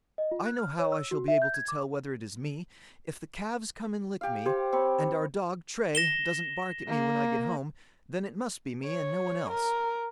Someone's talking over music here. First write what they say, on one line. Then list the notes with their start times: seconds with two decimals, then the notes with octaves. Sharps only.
I know how I shall be able to tell whether it is me; if the calves come and lick me, and our dog Tray doesn't bark at me when I get home, then it must be me, and no one else.'
0.18 D#5
0.31 F4
0.46 F#6
0.58 F6
0.79 C#5
0.92 E6
1.11 F#4
1.28 E5
1.42 G6
1.54 G#6
1.68 D6
4.21 G4 F5
4.46 G4 C5
4.72 C4 C#5 B5
5.95 A#6 E7 G7
6.88 A#3
8.85 C#5
9.50 A#4